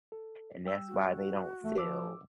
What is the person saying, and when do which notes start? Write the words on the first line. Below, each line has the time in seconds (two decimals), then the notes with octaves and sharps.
and that's why they don't sell
0.12 A4
0.65 G3 G5 E6
0.88 F#4
1.64 E2 A3
1.78 F3 D6 E6